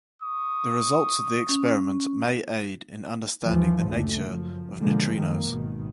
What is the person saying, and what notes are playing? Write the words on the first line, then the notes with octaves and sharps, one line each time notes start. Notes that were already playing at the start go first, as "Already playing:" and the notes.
The results of the experiment may aid in understanding the nature of neutrinos.
C#6 D#6
C#4
D#2 E3 F3
F#1 D2 D3 A3
F#2 F3
B2 D3 F3 G#3 A#3
F#2 D#3 A#3
G#1 B2 D#3